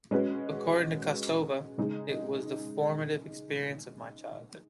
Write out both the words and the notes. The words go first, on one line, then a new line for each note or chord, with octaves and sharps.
According to Kostova, It was the formative experience of my childhood.
G#3 C#4 F#4 B4
C#3 G#3 D#4 G#4